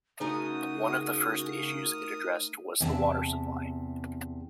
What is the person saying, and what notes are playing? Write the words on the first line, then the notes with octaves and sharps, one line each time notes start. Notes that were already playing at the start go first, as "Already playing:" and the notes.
One of the first issues it addressed was the water supply.
C#3 A3 D#4 F#4 A#4 G#5 D#6
E2 C3 A5